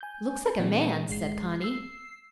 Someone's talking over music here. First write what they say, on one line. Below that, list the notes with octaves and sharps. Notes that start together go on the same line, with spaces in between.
"Looks like a man's," said Conny.
G#5 G6
A#2 E3 G#3 C4 D4
G#1 G#3 C7
E6 C7